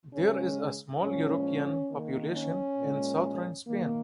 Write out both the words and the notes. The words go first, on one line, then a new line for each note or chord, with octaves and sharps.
There is a small European population in southern Spain.
C#3 G#3 C#4
A#2 F3 G#3 C#4
D#3 A#3
C#4
A#2 G#3
D#3 A#3